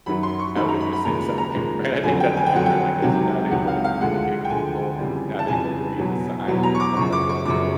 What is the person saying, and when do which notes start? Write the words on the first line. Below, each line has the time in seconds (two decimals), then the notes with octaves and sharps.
I was missing something, right? I think that's natural, I guess. You're not able to communicate with people, not able to read the signs and stuff like that, so,
0.06 F#2 D#3 F#3 B5
0.23 C6
0.39 C#6
0.56 F#2 D#3 F#3 B5
0.68 A#5
0.81 B5
0.93 B5
1.05 D#2 C#3 F3 G#3 A#5
1.22 B5
1.38 A#5
1.54 D#2 C#3 F3 G#3
2.03 F2 D3 F#3 G#5
2.20 G5
2.37 G#5
2.46 G5
2.53 F2 D3 F#3 F#5
2.66 G5
3.02 C#2 C3 D#3 F#3
3.51 C#2 C3 D#3 F#3 F#5
3.68 F5
3.84 F5
4.00 D2 D3 F3 G#3 F#5
4.45 G5
4.49 D2 D3 F3 G#3 G#5
4.99 F2 C#3 E3 G3
5.39 A5
5.48 F2 C#3 E3 G3 G#5
5.98 E2 B2 F#3
6.48 E2 B2 F#3
6.63 A#5
6.75 C#6
6.80 D6
6.96 F#2 C#3 F3 C#6
7.12 D6
7.29 C#6
7.45 F#2 C#3 F3 D6